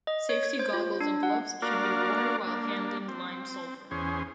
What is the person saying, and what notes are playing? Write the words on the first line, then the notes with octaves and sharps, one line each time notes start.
Safety goggles and gloves should be worn while handling lime sulfur.
D#5
C#5
G#6
C5
F4
D4
F#5
A#3 D4 F#4 A#4 D5 F5
A#3 D4
C4
E2 C#4 G#4 C5